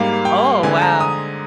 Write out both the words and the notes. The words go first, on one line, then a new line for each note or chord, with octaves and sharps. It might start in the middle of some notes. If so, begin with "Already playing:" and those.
Oh, wow.
Already playing: G#2 G3 A#3 F5
G5
D3 G#3 C4 G#5
A#5
D#6